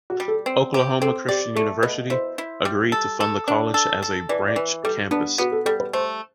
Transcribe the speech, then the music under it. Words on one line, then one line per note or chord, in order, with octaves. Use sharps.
Oklahoma Christian University agreed to fund the college as a branch campus.
F#4
G3
A4
C4
G4 C5
C4 A4
G4 D5
A3 A4
B2 B4
E4 C5
E4
G3
A4
A4
D4
A4
A4
E3 D5
D5
E3
G3 A4
B3 D4
B3 F#4
A4
G3 A4
B4
A3 C5